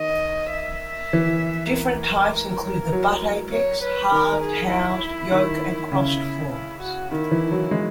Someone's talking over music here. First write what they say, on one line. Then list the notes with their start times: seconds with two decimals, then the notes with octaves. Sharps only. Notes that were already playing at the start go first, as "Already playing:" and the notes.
Different types include the butt apex, halved, housed, yoke, and crossed forms.
Already playing: D#3 D#5
0.53 E5
1.13 E3
1.74 A#4
2.92 F#3
3.52 C#5
3.83 B4
4.12 D#3 A#4
4.42 G#4
4.72 E4
5.31 D#3
5.92 C#3 E4
6.52 E4
6.81 F#4
7.11 D#3 E4
7.31 E3
7.51 F#3
7.71 G#3